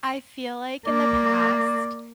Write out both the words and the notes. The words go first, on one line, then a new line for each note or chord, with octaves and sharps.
I feel like in the past,
A#3 D5